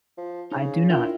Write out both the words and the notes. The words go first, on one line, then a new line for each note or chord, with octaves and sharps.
I do not.
F3
C#3 D#4
D4 E4 F4 A#4 G5